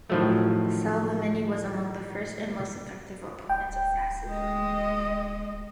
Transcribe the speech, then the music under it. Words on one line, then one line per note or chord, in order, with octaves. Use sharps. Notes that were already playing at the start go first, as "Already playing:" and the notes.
Salvemini was among the first and most effective opponents of Fascism.
A2 D#3 F3 F#3 A3
D1 G5
G#3 D#5